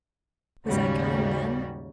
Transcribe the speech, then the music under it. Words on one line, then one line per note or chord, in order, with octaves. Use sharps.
Was I kind then?
D#2 G#2 C#3 G3 F#4